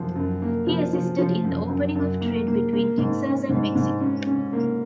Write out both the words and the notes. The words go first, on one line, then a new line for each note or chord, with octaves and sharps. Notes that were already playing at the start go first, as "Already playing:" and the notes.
He assisted in the opening of trade between Texas and Mexico.
Already playing: F#2 F3
F#2
A#3
F3
F3
F3
F#2
F#2
F#2
A#3
A#3
A#3
G#2
C#4
G#2
G#2
C#4
C#4
A#3